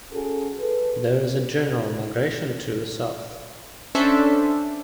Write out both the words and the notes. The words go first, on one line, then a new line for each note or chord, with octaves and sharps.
There is a general migration to the south.
C#4 F#4 G#4 A4
A4 B4
C#4 D4 A4 C5 E5